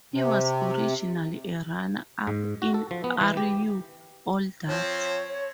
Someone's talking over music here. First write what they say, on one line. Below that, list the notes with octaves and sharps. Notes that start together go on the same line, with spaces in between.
He was originally a runner up in R U All That?
C3
G#2
F#4
A4
F3
B3
E3
G4
F3 C4 C#5